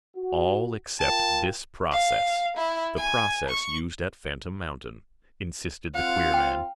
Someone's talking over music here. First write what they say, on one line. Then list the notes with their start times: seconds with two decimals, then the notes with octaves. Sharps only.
"All except this process--the process used at Phantom Mountain," insisted the queer man.
0.16 F#4
1.00 F4 A#4 G5 A5
1.91 F5
2.56 E4
2.96 G#5
3.48 C#6
5.95 C4 F4 F5 F#5
6.34 G5